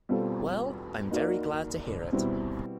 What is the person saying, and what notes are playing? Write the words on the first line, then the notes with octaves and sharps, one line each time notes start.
Well, I'm very glad to hear it.
B2 G3 C4 F4 A4
A#3 D#4 F#4 A#4 D5
B2 G3 C4 E4